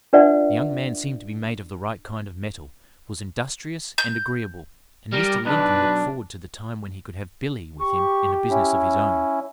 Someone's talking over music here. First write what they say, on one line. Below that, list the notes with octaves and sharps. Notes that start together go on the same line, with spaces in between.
The young man seemed to be made of the right kind of metal, was industrious, and agreeable, and Mr. Lincoln looked forward to the time when he could have "Billy" with him in a business of his own.
D4 F4 B4 D5 E5 F#5
G6
G3 A#4
B1 D4 B4
G4 C#6
C#4 E4